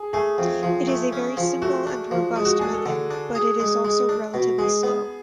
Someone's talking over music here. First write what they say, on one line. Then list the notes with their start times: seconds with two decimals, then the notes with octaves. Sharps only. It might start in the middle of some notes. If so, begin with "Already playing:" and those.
It is a very simple and robust method, but it is also relatively slow.
Already playing: G#4
0.13 A3 G#4
0.38 F2
0.63 F3
0.88 A3
1.12 C#4
1.37 F3
1.62 A3 F#4
1.87 D4
2.11 F3
2.36 G#3
2.45 F#4
2.59 D4 G#4
2.73 A4
2.86 D3
3.11 D4
3.35 G#4
3.60 G#3
3.85 G#3
4.09 D4
4.34 B2
4.59 G#3 G#4
4.83 B3